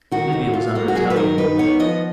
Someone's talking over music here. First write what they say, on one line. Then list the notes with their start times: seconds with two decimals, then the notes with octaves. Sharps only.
Libya was under Italian rule.
0.12 D#3 F#4
0.33 D#2
0.53 F4
0.75 A#3
0.88 F#4
0.95 F#3 G#4
1.10 B4
1.16 D#3 A#4
1.38 D#4 B4
1.58 B3 C#5
1.79 F3 D#5